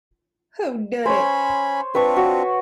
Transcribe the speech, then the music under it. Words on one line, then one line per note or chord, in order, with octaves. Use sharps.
Who Done It?
C#4 C5 C#5 G#5 B5
C4 D4 F4 B4 C#6
F#4